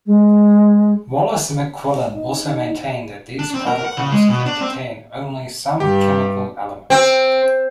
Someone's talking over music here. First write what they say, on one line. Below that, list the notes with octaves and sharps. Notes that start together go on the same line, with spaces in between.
Wallace and McQuillan also maintained that these particles could contain only some chemical elements.
G#3
D#4
D4
C4
A#4
F#5
C#3
G#3
B2
D4
C4
G2 G4
C4